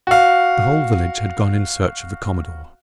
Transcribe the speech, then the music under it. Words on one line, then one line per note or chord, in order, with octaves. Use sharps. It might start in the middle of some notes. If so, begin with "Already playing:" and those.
The whole village had gone in search of the commodore.
F#4 F5